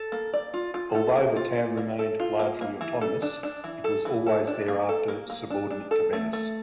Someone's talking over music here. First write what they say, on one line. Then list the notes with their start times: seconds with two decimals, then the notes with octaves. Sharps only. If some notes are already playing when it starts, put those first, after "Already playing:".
Although the town remained largely autonomous, it was always thereafter subordinate to Venice.
Already playing: A4
0.12 A#3
0.34 D5
0.54 F4
0.74 F4
0.95 A4
1.16 A#3
1.36 F4
1.58 D5
1.77 A#3
1.99 A4
2.20 F4
2.39 A#3
2.61 A#3
2.81 E3
3.01 A4
3.22 D4
3.43 D4
3.64 E3
3.84 A4
4.05 E3
4.26 A4
4.47 D4
4.68 A#3
4.89 A4
5.08 A#3
5.30 A#3
5.50 D4
5.71 D4
5.91 A4
6.13 A3
6.33 A3